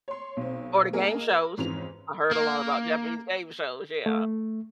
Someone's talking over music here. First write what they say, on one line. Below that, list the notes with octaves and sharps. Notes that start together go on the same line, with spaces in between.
Or the game shows. I heard a lot about Japanese game shows, yeah.
C#5 C6
B1 C4
A#3 D#4 G#4 A#4
A#4
F2 G#2 E3 C#4 F4 F7
A#3
A3